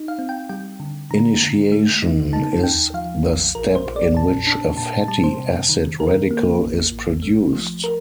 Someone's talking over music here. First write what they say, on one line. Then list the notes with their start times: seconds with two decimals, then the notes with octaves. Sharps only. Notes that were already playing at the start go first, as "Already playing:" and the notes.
Initiation is the step in which a fatty acid radical is produced.
Already playing: D#4
0.08 F5
0.19 C4
0.29 G5
0.49 G3 G5
0.80 D3
1.11 D3 A#5
1.41 D3
1.72 A3
2.02 D#4
2.33 D#4 A5
2.63 D#2 G5
2.94 F3 F5
3.25 A#1
3.55 A#1 A#4
3.75 C5
3.86 A#1
3.96 D5
4.16 A#2 A5
4.47 D4 A5
4.77 A#2 A5
4.93 A5
5.08 G3 A5
5.24 C5
5.39 C3
5.69 D#3
6.00 D#3 A#4
6.31 A#3
6.61 A1
6.92 A1
7.22 A3
7.53 F3
7.84 A#4